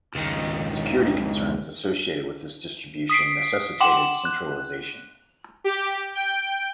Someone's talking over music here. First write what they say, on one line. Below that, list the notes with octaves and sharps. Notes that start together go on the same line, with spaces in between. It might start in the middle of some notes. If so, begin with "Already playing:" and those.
Security concerns associated with this distribution necessitated centralization.
C#2 D#3
D#6 B6 C7 D7
F#5 G5 C6 D6 E7 F#7
F#6
G4
G5